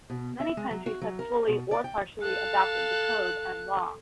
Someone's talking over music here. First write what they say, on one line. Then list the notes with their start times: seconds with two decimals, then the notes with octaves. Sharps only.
Many countries have fully or partially adopted the Code as law.
0.10 B2
0.40 E5
0.57 G#3
0.71 F#3
0.86 F#4
1.01 F#3
1.19 A#4
1.47 B2
1.71 D5
1.84 G5
2.22 A4 F5 F#6